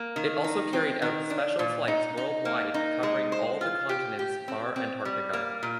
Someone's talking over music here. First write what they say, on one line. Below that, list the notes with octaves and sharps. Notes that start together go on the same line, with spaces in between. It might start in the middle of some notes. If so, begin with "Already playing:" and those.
It also carried out special flights worldwide covering all the continents bar Antarctica.
Already playing: A#3
D#3
D#4
C4
D#3
D4
A#2
D#4
D#4
A#3
D#4
G#3
C5
F4
G4
G4
C4
C4
G3
A#3
A#2